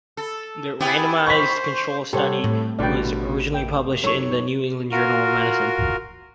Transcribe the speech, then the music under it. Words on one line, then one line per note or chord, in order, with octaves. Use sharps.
The randomized control study was originally published in the New England Journal of Medicine.
A4
B3 E4 G4 G#5
C5 C#6 B6
C3 G3 G4 A4 C5 C#5 F#5
A2 A3
A1 B2 D3 G3 D5 G5
F#1 G5
F#3 D#4 A4 C#5 C#6
F4 F#4 A#4